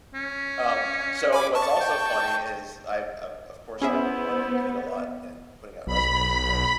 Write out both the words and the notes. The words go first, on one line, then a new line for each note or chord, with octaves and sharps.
Um, so what's also funny is I'm I'm, of course I'm on Indeed a lot and putting out resumes and things.
C#4
G#5 B5 D6
A5 C#6
G5
B3 C#4 E4 G#4 C5 E5
B1 B5